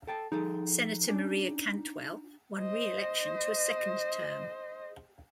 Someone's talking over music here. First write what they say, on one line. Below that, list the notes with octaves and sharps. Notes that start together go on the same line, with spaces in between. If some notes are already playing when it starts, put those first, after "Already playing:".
Senator Maria Cantwell won re-election to a second term.
A4 G5 A5
F3 D#4 G#4 A4
C#4 D4
C5 D#5